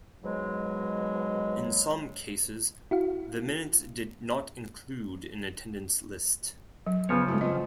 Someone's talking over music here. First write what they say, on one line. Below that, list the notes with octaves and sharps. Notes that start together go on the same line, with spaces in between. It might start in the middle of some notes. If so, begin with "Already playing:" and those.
In some cases the minutes did not include an attendance list.
G#2 B2 F#3 G#3
E4 F#4 F5
F#3
C#3 F3 B3 G#4 B4 C#5
G#3 A3 E4 F#4
B3 C4 F4 D#5